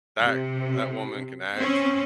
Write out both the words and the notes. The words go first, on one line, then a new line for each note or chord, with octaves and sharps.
that that woman can act
C3
C4 C#4